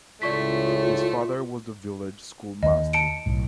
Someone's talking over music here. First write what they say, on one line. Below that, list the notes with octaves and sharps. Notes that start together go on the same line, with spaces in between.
His father was the village schoolmaster.
C#2 A2 C#3 A3 F4 D5 C#6 B6
D#2 D#5
A5 C#7 D7
B1 A2